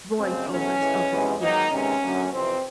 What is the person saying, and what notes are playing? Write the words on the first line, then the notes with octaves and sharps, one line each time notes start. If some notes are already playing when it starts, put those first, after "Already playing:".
Voice overs, okay, yes, yes.
F#2 C#3 F3 G#3 C4
E2 B2 F#3 A3 C#4
A2 E3 G#3
F2 C3 E3 G#3 B3
G#2 D#3 F#3 A#3 D#4
C3 D#3 G#3 B3 C#4
F#2 D3 F#3 A#3
F2 C3 E3 C4